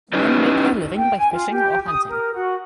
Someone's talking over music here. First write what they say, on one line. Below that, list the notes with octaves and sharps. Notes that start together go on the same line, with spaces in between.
Men make their living by fishing or hunting.
C#4 D#4 E4 G4 B4 D#5
G5
G#5
F4
G4
D#6
A#4
F#4